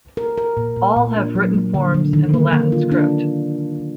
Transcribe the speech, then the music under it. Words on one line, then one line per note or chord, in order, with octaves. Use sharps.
All have written forms in the Latin script.
A#4
A#4
A#2
A#2
A#2
D4
F#3
A#3
D3
D3
D#3
A#3
A#3
F4
D4